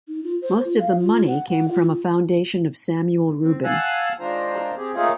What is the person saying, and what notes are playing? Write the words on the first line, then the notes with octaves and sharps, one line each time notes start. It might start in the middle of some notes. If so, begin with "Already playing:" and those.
Most of the money came from a foundation of Samuel Rubin.
D#4
F4
C5
F4
F5
F4
F#5
F#5
F4
C4
F5 F#5 G#5 A5 E6 F#6
D#3 G#3 D4 F4 C5 A#5
C4 G4 G#4
A3 A#3 C#4 D#4 F4 G#4